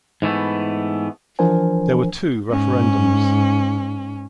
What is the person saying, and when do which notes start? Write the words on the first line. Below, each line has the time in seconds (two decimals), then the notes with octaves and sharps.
There were two referendums.
0.22 G#2 E3 A3 B3
1.39 E3 F3 D4 A#4 C5 G#5
2.50 G#2 C#4